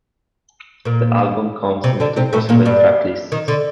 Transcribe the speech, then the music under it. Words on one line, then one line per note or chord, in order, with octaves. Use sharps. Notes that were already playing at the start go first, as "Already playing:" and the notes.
The album comes in two possible track lists.
A#2 A#3
C3 C4
D3 D4
C3 C4
A2 A3
A#2 A#3
G2 G3
D#3
D3